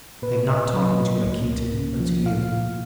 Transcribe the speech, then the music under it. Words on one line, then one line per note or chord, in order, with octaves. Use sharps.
I am not talking to Rakitin, but to you.
A#2 B4
A#2 D#5
F#3
A#3
C#2
A#3
C#3
F3
A#2 F5
A#2